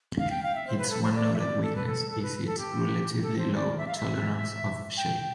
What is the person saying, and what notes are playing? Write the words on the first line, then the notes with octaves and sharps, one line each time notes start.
Its one noted weakness is its relatively low tolerance of shade.
F5
G5
F5
E5
C5
B4
A4
C5
D5
E5
D5
A4
B4
A4
A4
B4
A4
G4
A4
C5
D5
E5
F5
E5
G5